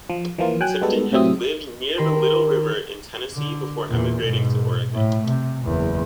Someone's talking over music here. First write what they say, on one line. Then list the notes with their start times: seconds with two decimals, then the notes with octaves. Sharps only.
Tipton had lived near the Little River in Tennessee before emigrating to Oregon.
0.10 F3
0.38 E3 F3 A#3 F4
0.60 F#3 G5 G#5 F#6
0.82 G3 G#3 B3 F#4 A4
1.12 A2 C3 F#3 C4 E5 D#6
1.97 D#3 G4 A#4 B5 C6
3.33 D3
3.88 E2 A#2
4.21 G#2 B2
4.92 A2 A3
5.26 C3
5.64 F#1 E2